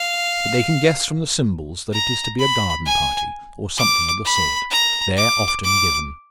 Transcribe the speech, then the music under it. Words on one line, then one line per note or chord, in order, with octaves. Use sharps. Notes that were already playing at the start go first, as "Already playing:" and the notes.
But they can guess from the symbols that it is to be a garden party, or something of the sort, there often given.
Already playing: F5
A#5
B5
G#5
D6
B5
A#5
D6
D6